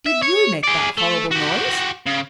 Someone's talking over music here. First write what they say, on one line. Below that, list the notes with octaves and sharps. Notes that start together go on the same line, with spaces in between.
"Did you make that horrible noise?"
E5
C#5
G#4 D5
A3
F#4 G4
C#3